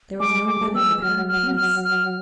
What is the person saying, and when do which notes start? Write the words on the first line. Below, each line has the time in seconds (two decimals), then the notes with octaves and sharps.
There was no living with her in peace.
0.20 G#3 D6
0.48 D6
0.61 A3
0.68 G#3
0.75 G3 E6
0.83 G#3
1.02 F#3 F6
1.28 F6
1.57 F6
1.84 F6